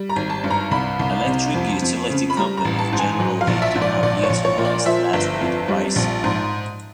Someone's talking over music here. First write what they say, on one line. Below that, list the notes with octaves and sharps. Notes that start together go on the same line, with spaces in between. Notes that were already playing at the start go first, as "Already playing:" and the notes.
Electric utility companies generally do not utilize flat rate pricing.
Already playing: G3
A#5
G#1
A5
G2
A#5
C2 B5
C2
C3
F2
F2
C#3
B5
G3 A#5
A#5
A1
A5
G#2
G#5
F#3
F5
A#1
E5
G#2
D5
A#1 D5
C#5
A#1
C#5
A#2
D5
F3 E5
G1
F2
G3
A#1
G#2